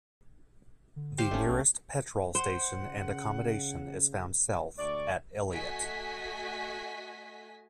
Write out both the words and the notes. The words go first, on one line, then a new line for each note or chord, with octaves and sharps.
The nearest petrol station and accommodation is found south at Elliott.
D3
G4 C5 F5
F#1 A3 C#4
A#1
C5 F#5
C#3
D2 D5 C#6
A3 F#4 D#5 G#5 B6